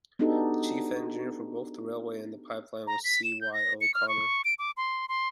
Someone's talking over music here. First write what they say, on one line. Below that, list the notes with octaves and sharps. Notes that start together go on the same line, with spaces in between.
The chief engineer for both the railway and the pipeline was C. Y. O'Connor.
B3 D4 D#4 F#4 G4 A4
A#5
B6
E7
G6
A#6
C#7
F6
C#6
D7
D6
C6
C6